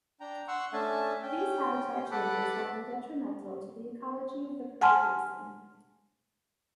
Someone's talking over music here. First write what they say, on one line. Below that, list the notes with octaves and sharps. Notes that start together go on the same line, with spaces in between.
These habitat changes have been detrimental to the ecology of the Kura basin.
D4 G5 A#5
F#5 C6 C#6 E6
A3 C#4 D4 E5 G#5 A5
C#4 G5
A4 B4 F#5 A5 B5 D6
F#5 G#5 A5 C6 F6